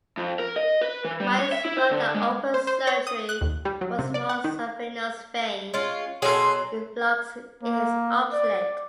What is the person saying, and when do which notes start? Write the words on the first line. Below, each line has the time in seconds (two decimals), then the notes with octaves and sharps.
Myers wrote that open surgery for small saphenous vein reflux is obsolete.
0.17 F2
0.39 A#4
0.56 D#5
0.81 B4
1.05 E3
1.20 G3
1.39 C#5
1.52 E5
1.65 E4
1.77 C5
1.91 D3
2.14 G#3
2.54 C5
2.67 C5
2.87 C#5
3.07 D#6
3.29 F#6
3.41 D#2
3.65 G3
3.81 F#3
3.99 C3
4.14 D5
4.29 F#5
4.44 D#3
5.74 G#3 C#4 F4
6.22 B2 F#3 G#4 A4 C6
7.63 A#3
8.33 D5